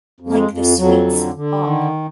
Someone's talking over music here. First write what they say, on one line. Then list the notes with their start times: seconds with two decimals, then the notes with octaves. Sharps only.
Like the suites Opp.
0.20 F2
0.29 A#3
0.35 G#3
0.49 F2
0.77 F2 F#3
1.07 D3
1.35 D3
1.64 D#3